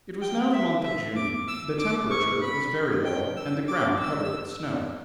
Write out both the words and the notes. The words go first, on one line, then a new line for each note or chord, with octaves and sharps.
It was now the month of June, the temperature was very low, and the ground covered with snow.
G5
E5
E5
D6
E6
D6
C#6
B5
G5
E6
D6
E6